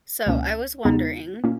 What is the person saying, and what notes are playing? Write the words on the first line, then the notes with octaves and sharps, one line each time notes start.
So, I was wondering
C#2 B2 A#3 C#4
E2 C#3 G#3 B3 D#4
A#2 A#3 C#4